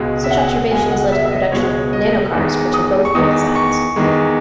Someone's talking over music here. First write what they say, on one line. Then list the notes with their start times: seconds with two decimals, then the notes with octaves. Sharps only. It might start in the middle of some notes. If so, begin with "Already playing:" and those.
Such observations led to the production of nanocars which had both wheel designs.
Already playing: C#2 B2 G#3
0.24 E5
0.31 F#5
0.71 C#2 B2 G#3 G#5
0.91 F#5
1.12 E5
1.25 E5
1.32 D#5
1.52 C#2 B2 G#3 C#5
1.93 D#5
2.33 E2 D#3 G#3
2.74 D#6
3.05 C#6
3.15 E2 D#3 G#3 D#6
3.56 C#6
3.96 E2 D#3 G#3